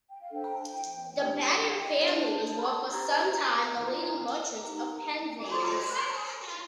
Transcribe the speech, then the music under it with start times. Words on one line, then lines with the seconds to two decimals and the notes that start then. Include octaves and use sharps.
The Batten family were for some time the leading merchants of Penzance.
0.10 G5
0.22 F5
0.32 D4 A4 C5 G5
1.17 D4 G4 A#4 G5
2.03 D4 G4 C5 A5
2.90 D4 G4 C5 A#5
3.76 F4 A#4
4.62 D#4 G4 A#4 A#5
5.38 D6
5.49 F4 A4 C5 C6